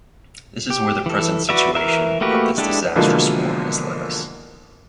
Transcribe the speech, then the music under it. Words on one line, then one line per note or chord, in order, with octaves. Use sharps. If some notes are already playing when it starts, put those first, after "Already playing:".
This is where the present situation of this disastrous war has led us.
G4
E3 A4
F#4 B4 D5 E5
E3 A#4 E5
A3 A#3 F#4 G4 B4
G#3 D4 E4 G4 A4
B2 D3 E3 F3 G#3 A#3